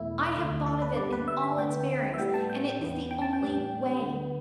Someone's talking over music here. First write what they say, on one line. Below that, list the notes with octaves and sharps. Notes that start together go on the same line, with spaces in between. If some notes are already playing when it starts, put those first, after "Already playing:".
I have thought of it in all its bearings, and it is the only way.
Already playing: E2 B2 A3 E4
D2 D3 A3
A4
B4
G2 D3 G3 B3 D5
B4
E5
E5
D2 D3 B3 G5
E5
A2 G3 B3 G5
A5
G5
E2 E3 B3
G5
A5
G5
A2 E3 G3
D2 D3 B3